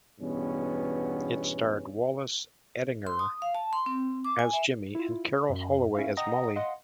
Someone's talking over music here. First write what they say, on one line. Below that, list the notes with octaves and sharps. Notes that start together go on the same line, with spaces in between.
It starred Wallace Eddinger as Jimmy and Carol Holloway as Molly.
E2 G2 B2 B3 C#4
C6
D#6
F5
A5
C6
C4
D6
G#5
E5
E4 F4
F#2
C#4 E4 E5 F5
D#5 F#5 G5 A#5 D#6 A#6
D#5 F5 F#5 C6